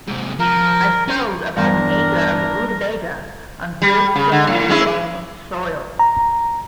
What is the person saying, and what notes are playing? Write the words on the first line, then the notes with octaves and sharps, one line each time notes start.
I sowed about an acre of rutabaga on good sandy loam soil.
G#2 C3
F3 A#4
C#4 C#5
E2 G2 D4 A#4
G3
C#3
D3
A2
G#3 C#4 E4
A#5